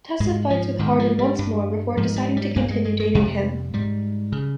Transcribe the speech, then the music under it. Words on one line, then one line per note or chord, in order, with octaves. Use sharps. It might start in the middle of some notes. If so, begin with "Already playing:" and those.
Tessa fights with Hardin once more before deciding to continue dating him.
G#2 G#3
F3
G#2 D#3
F3
G3
G2
G#2 F3
G3
G3
G2 A#3
G#3
G#3
G#3
F2 C3 G3
G#2 G3
C#3